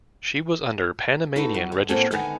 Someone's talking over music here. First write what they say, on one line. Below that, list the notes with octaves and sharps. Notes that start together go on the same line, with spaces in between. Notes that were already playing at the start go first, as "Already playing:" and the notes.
She was under Panamanian registry.
D#4 F#4 A4 B4
F#3
D3
A2 A#3 C4 F#4 A4 G#5
G#2 D3 D#3 B3 D#4 G#5